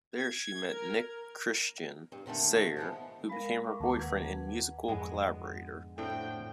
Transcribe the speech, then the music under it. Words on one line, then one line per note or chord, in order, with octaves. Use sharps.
There she met Nick Christian Sayer, who became her boyfriend and musical collaborator.
G#6
A#4
G2
A#2 D3 D#3 A3
F3 G#3 B3
G#3 A#4 F5 B5 A#6
C#6 D6
D#2 A5 A#5
B4 F#5 G#6
F2 G#2 D3 G#3 B3
A2 A3 C4 D4 F#4 G5